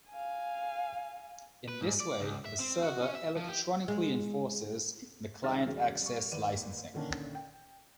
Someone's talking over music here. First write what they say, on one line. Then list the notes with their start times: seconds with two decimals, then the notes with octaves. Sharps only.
In this way, the server "electronically enforces" the Client Access licensing.
0.10 F5 G#5
1.68 B4
1.81 G#2
2.00 D5
2.20 C#2
2.46 E5
2.60 C4
2.82 F#4
3.01 C#4
3.15 E5
3.37 F3
3.49 G4
3.88 G#3
5.42 D#1 G#3 D4 D#4 F6 A6
5.66 E1 C#3
6.02 G3 C#6
6.32 D#2 A#3 B4 D5 D#7
6.94 A#2 D3 D#3 C#4 D4
7.35 G5